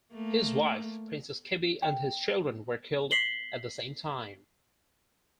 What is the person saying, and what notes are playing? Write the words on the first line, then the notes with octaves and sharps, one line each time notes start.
His wife, Princess Kibi, and his children were killed at the same time.
A3 A#3
G5
B6 C7 F#7 G7